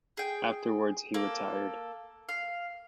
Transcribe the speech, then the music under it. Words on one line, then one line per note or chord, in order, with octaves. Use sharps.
Afterwards he retired.
G#4 G5
A#3 A4
F5